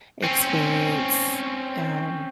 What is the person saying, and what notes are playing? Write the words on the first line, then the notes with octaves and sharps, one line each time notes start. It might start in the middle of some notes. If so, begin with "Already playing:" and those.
experience, um,
C4 C#4